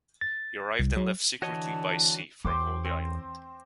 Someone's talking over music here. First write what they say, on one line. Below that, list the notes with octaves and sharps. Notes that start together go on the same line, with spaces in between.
He arrived and left secretly by sea from Holy Island.
A6
C2
F#3
D3 E3 F#4 C#5 D#5 A5
E2 C5 G5 D6
C4